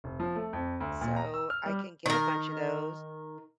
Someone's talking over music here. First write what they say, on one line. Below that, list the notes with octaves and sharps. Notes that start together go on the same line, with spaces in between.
So, I can get a bunch of those,
F1
F3
A3
F2
D2
A#2
A#5
E6
F6
G3
D#3 A#4